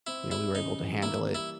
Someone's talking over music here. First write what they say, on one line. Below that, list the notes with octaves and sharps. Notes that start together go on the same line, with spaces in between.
You know, we were able to handle it,
C4 E4
G3 E4
C#3 D#4
E3
A#3 E4
G3
E4